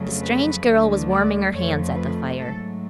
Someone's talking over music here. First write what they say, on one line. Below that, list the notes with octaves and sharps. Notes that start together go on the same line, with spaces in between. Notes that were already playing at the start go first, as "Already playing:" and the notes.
The strange girl was warming her hands at the fire.
Already playing: F2 C#3 F#3 A3
B4
D2 D3 F#3 A3
D5
F2 F3 A3 C#5
B4
G#2 F#3 A3 A4